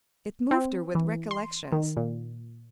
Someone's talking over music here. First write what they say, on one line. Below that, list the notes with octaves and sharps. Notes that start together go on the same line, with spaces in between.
It moved her with recollections.
C4
E3
C6
D#3
A#2